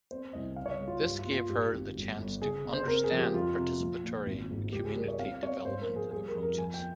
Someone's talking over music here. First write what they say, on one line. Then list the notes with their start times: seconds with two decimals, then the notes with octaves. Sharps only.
This gave her the chance to understand participatory community development approaches.
0.11 C4 C5
0.33 C2 D#5
0.56 C#3 F5
0.66 C#5
0.72 D#5
0.79 G#3
0.88 F4
1.03 G2 G4
1.19 F4
1.26 A#3
1.34 F4
1.49 G#2 G4
1.73 G#1
1.96 G1
2.18 G1
2.42 C#3 G#4
2.65 C#3
2.73 C5
2.87 C4 A#4
3.04 G#4
3.12 F3
3.19 G4
3.34 F2 F4
3.57 C3
3.80 A#1
4.04 A#2
4.26 G#1
4.50 G#2
4.73 C#2 G4
4.85 G#4
4.96 G3 A#4
5.08 C#5
5.19 C4 F5
5.42 C4 C#5
5.65 G#2 C5
5.81 A#4
5.89 A#1
5.96 G#4
6.11 G3 G#4
6.28 A#4
6.35 F2
6.42 A#4
6.57 F3 G#5
6.74 G5